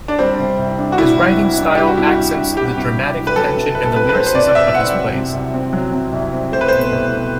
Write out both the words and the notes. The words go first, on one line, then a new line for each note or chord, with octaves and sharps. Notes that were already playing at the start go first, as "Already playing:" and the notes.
His writing style accents the dramatic tension and the lyricism of his plays.
D4
G3 C4
C3
C2
D4
F#4
G3 E4
C3
C2
D4
G3 G4
F#4
C3 E4
F#4
C2
D4
G3 G4
C3
C2
D4
B4
F#3 A4
C3
C2 B4
A4
C4 B4
B4
F#3 C5
C5
C3 D5
D5
C2 E5
C4 F#5
F#3
C3
C2
C4
F#3
C3
C2
C4
A3 C5
B4
B2 C5
C2
C4